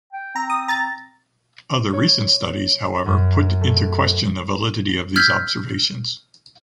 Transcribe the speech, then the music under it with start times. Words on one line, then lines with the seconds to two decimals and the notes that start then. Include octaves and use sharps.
Other recent studies, however, put into question the validity of these observations.
0.13 G5
0.36 C4 A#5
0.50 D#6
0.68 A#5 A6
1.93 C#5
3.06 F#2
3.61 A3
5.16 E6 F6 G6 G#6 B6